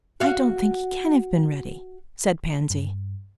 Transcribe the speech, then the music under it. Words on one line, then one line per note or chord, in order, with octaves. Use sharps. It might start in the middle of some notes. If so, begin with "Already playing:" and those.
"I don't think he can have been ready," said Pansy.
F#4 F5
G2